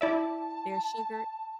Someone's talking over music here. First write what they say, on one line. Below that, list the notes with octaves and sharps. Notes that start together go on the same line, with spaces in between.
there's sugar
E4 D5 E5 A5